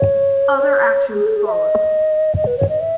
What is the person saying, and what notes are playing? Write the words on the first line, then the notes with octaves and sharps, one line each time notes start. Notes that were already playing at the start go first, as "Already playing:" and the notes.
Other actions followed.
Already playing: C#5
C#5
G#4
A4
G#4
E5
D#5
D#5
B4
C#5
D#5
E5